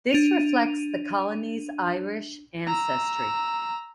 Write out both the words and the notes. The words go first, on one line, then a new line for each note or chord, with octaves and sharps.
This reflects the colony's Irish ancestry.
D4 D#7 F7
A#5 E6